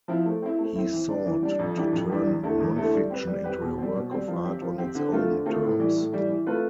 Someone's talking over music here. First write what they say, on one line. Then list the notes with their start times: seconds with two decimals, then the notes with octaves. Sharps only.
He sought to turn non-fiction into a work of art on its own terms.
0.08 F3 C4 E4
0.25 A3
0.42 C4 E4
0.58 A3
0.76 C4 E4
0.92 E3
1.09 G3 D4
1.26 E3
1.43 G3 D4
1.59 F2
1.76 E3 G3 D4 G4
1.93 F2
2.10 E3 G3 D4 G4
2.27 E2
2.43 D3 A3 E4 A4
2.60 E2
2.76 D3 A3 E4 A4
2.94 G3
3.10 C4 G4 B4
3.27 G3
3.44 C4 G4 B4
3.61 B2
3.78 G3 C4
3.95 B2
4.11 G3 C4
4.28 F3
4.44 C4 G4
4.61 F3
4.78 C4 G4
4.95 D3
5.12 A3 C4 F4
5.29 D3
5.46 A3 C4 F4
5.63 A2
5.79 E3 G3
5.96 A2
6.12 E3 G3
6.29 E3
6.46 A3 C4 F4 B4